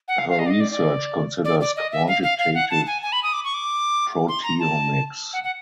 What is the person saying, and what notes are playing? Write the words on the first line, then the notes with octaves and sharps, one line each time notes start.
Her research considers quantitative proteomics.
F#5
F5
F5
D#5
D5
D#5
D5
D5
D5
D5
D#5
E5
F5
F5
F5
F#5
A5
G#5
G#5
B5
D#6
D6
C#6
D6
C6
A#5
A5
F#5
F#5